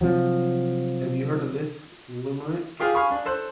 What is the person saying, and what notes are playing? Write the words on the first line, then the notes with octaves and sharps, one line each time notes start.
Have you heard this limerick?
C3 F3 F#3
F4 G4 G#4 F5
F5 G#5 B5 C#6 D#6
D4
A4 C5 F#6